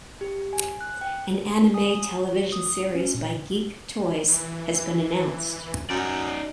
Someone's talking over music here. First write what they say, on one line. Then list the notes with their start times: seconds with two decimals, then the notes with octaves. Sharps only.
An anime television series by Geek Toys has been announced.
0.21 G4
0.53 G#5
0.81 F#6
1.01 G5
1.74 G#5 D#6
2.33 F#4
2.52 D#6
2.95 C#4
3.14 A#2
4.28 E3
5.90 F#2 D#4 D5